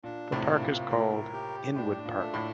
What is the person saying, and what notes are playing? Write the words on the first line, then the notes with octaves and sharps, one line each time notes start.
The park is called Inwood Park.
A#2 D4
A2 C3
A#3
A#2
A2 A#4
G4
A2 D4
A#2
A3
A2